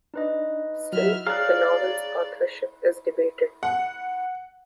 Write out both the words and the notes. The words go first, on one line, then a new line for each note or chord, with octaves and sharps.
Still, the novel's authorship is debated.
D4 D#4 B4 D#5
F#3 E4 F#4 E5 F6
G#4 C#5 D5 F5 A#5 F6 F#6
F#5